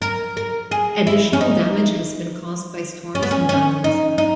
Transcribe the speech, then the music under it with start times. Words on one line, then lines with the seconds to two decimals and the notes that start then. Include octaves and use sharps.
Additional damage has been caused by storms and vandalism.
0.02 A#4
0.37 A#4
0.71 G#4
1.07 E4
1.33 C#4
1.41 D#4
3.15 C#4
3.23 B3
3.31 C#4
3.49 C#4
3.84 D#4
4.18 D#4